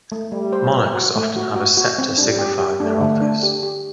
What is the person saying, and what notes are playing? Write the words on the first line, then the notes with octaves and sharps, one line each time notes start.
Monarchs often have a sceptre signifying their office.
A3
G3 A3
C5
C5
F#4
A3
F#4
F#4
F#4
C4
G3 D4
G4
G4
A3 D4
D3
D4
G4
G4